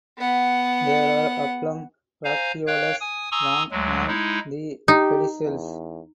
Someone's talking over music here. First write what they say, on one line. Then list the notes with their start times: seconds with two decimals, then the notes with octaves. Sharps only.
There are oblong bracteoles long on the pedicels.
0.18 B3 F#5
2.25 C5 F5 G#5 A#5
2.67 C#5 F5 G5 F#6
3.00 G#5 D#6
3.32 G#5 A#5 C6 C#6 D#6 E6
3.71 D2 F#3 G#3
4.08 G#3 D#4 E4
4.88 D#4 G4
5.45 E2